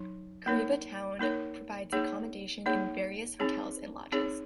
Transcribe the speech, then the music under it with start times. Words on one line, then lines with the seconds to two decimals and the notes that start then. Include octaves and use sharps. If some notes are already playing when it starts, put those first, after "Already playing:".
Kariba town provides accommodation in various hotels and lodges.
Already playing: F#3 D#4
0.46 A#3 D#4 A#4 C#5
1.19 A#3 D#4 A#4 C#5
1.93 A#3 D#4 G#4 C#5
2.66 A#3 D#4 G#4 C#5
3.39 C4 D#4 G#4 C#5
4.12 C4 D#4 G#4 C#5